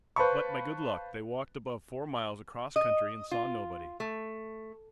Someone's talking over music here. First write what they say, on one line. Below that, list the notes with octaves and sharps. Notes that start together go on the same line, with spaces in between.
But by good luck they walked above four miles across country and saw nobody.
B4 C5 F5 A5 B5 C#6
D#5
F4
A3